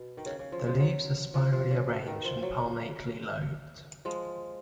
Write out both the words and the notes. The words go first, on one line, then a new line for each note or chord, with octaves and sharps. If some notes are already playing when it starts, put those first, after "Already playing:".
The leaves are spirally arranged, and palmately lobed.
Already playing: B2
D#3
C#3
C#3
F3
F3 G#3
F#3
F3
F3
C#3
B2
D#3
F3
F#3
F3 G#3